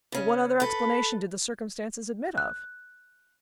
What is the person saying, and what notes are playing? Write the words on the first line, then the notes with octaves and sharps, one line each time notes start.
But what other explanation did the circumstances admit of?
C#3 C#4
A4 B4 B5
F#6